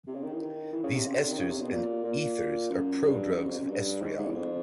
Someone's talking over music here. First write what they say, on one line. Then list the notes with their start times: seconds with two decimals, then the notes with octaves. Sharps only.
These esters and ethers are prodrugs of estriol.
0.07 C3
0.15 C#3
0.23 D#3
0.32 E3
0.40 D#3
0.73 E3
0.83 C#3
0.95 C3
1.06 C#3
1.14 C3
1.22 D3
1.31 D#3
1.39 C#3
1.49 C3
1.61 B2
1.71 A#2
2.04 A#2
2.70 F#2
3.04 G2
3.30 F2
3.36 F#2
3.47 F2
3.59 F#2
3.69 G2
4.01 G#2
4.18 G#2
4.26 E2
4.34 F2